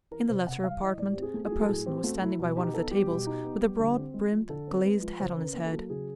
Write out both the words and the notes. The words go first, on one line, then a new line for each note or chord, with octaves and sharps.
In the latter apartment a person was standing by one of the tables with a broad-brimmed glazed hat on his head.
E3 A#4
C3 C5
C3 F#5
G3 F5
E3 D#5
A2 D5
C4 G4
G#4
A3
G#4
F#3
A4
A2 G#4
C4 G4
A3 F#4
F#3 E4
B2
D#4 G4
B3 A4
G3 G4
B2
D#4
B3
G3
D3
C4
G#3
F3
D3 A4
C4
G#3 B4
F3
C#3 C5
C#4 A#4
B4
A#3
A4
F#3
C#3 G#4